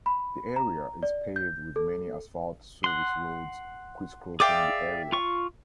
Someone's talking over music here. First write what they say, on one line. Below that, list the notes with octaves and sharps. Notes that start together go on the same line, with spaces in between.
The area is paved with many asphalt service roads crisscrossing the area.
B5
A#5
D5
G6
A4
F#5 C6
G#4 D5 E5 F5 G5 D6
F4 C#6